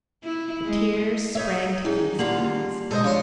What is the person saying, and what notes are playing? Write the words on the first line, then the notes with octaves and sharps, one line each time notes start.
The tears sprang to Keith's eyes.
E4
G#3
D#4 C#5 E5
G3 C#4 E4 G#4
D3 A#3 F4 G4 F#7
B2 G#3 A4 C5 D#5
F3 D4 C#5 C6